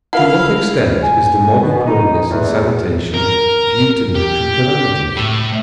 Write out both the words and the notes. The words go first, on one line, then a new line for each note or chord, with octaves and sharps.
To what extent is the modern progress in sanitation due to natural calamities?
E4 F4 A#4 F5 F#5 A5
G#5
B2
D#4
E2
A#4
G4
A2